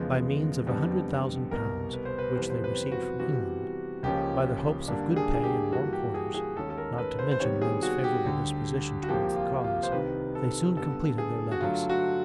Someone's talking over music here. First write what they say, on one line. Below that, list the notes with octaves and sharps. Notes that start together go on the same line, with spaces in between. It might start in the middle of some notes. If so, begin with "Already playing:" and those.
By means of a hundred thousand pounds, which they received from England; by the hopes of good pay and warm quarters; not to mention men's favorable disposition towards the cause; they soon completed their levies.
Already playing: E2 C#3 F3 G#3 B3
F2 D3 G3 B3
C2 B2 G3 A#4
B4
C5
B4
F2 C3 E3 G3 B3 C5
B4
C5
B4
F#4
C3 E3 G3 B3 F#4
C#2 C#3 F3 A#3 C#4 G4
G2 D3 G3 A#3 D4
G#4
G#4
G4
G2 E3 G3 A#3 F#4
G4
G#4
G#4
D#2 D#3 G#3 C#4 A4
A4
A#4
B4
C5
C5
C3 D#3 G3 B3 C#5
G#4
F#4
G4
D2 D3 G3
F#4
C2 C3 F3 A#3 G4
F4
F4
C5
C2 C3 D#3 B4
A4
G2 D3 G3 B3 A4
G#4
F#4
G2 D3 F#3 A3 F4
F#4